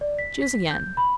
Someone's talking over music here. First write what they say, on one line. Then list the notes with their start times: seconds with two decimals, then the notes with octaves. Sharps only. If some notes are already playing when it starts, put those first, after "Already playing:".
Choose again.'
0.01 D5
0.19 B6
0.42 B6
0.71 G6
0.97 B5